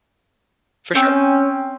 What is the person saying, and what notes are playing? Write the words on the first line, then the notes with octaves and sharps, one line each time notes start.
For sure.
C4 C#4 G5